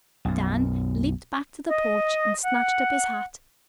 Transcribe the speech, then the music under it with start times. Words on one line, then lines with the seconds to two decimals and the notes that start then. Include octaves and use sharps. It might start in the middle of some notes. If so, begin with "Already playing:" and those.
Dan leaped back to the porch and snatched up his hat.
0.25 B1 F#2
1.68 D#5
2.43 F#5